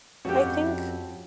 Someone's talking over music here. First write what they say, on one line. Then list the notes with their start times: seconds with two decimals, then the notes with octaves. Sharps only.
I think,
0.25 F2 C#4 F#4 G4